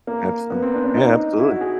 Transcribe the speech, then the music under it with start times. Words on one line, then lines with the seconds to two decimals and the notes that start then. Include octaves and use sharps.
Absolu Yeah, absolutely.
0.07 A#3
0.50 B3
0.62 C4
0.74 D4
0.83 C#4
0.94 D#4
1.39 E4
1.50 F#4
1.61 G#4